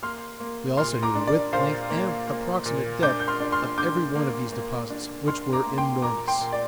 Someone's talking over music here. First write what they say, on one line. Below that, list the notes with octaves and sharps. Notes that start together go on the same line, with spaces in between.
We also knew the width, length, and approximate depth of every one of these deposits, which were enormous.
A#3 C6 F6
A#3
A#2 C6 F6
A#5 D6
D4
D5
A#2 C5 F5
A#3
A#3
A#2
D4 D6 G6
G6
C6 F6
D4
C6 F6
D3 D6 G6
A#3
A#3
D4
D4 C6 F6
A#5 D6
A#3
G5 C6
A#2 A#5 D6
G5 C6
A#2
D5